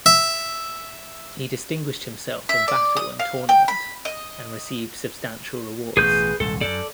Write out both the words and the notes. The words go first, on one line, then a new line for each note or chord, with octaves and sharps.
He distinguished himself in battle and tournament, and received substantial rewards.
E5
E5
D5
D#6
F5
G5
B5
D#5
A1 B2 G#4 B4 G6
D#1 C2 G#2 A4
F#2 A4 D5